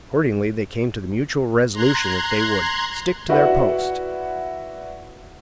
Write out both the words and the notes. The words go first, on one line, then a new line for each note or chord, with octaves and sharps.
Accordingly, they came to the mutual resolution that they would "stick to their post."
A#5 C6 F#6 G#6
E4 F#4 B4 D5 E5 F#5